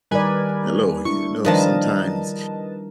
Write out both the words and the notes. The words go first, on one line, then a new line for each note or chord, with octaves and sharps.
Hello, you know, sometimes,
D#3 G3 A#4 B4 D5 G#5
D4 E4 C#6
D#3 F3 G3 D4 A#4 B4 D#5 A5